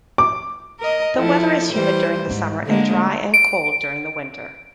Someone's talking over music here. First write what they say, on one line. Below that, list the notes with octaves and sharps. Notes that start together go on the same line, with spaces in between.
The weather is humid during the summer and dry and cold during the winter.
D6
A#4 D#5
F3 E4 A4
E3 G3 C5
G#2
D3 G#3 A#3
D7